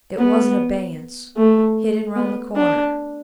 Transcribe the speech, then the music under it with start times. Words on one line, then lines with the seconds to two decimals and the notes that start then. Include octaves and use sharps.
It was in abeyance--hidden round the corner.
0.18 B3
1.37 A3
2.16 B3
2.56 D4